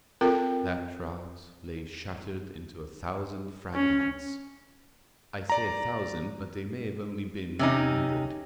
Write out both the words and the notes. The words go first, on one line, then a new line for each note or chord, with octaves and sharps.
That trout lay shattered into a thousand fragments--I say a thousand, but they may have only been nine hundred.
C4 F4 A4 A#4 G5
C#4
D5 A#5
C3 C#4 D#4